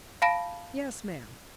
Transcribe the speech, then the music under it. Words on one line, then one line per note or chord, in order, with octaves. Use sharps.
"Yes, ma'am."
F5 A5 B5 A#6 D7